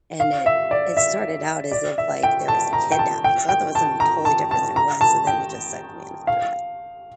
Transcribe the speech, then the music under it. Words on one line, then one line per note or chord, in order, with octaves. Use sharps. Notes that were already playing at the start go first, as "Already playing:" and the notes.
and it it started out as if, like, there was a kidnapping so I thought it was something totally different than it was, and then it just sucked me in after that.
F5
E5
D5
E5
D5
E5
G5
A5
A#5
G5
A5
G5
G5
A5
A#5
A5
A5
A#5
A5
G5
F5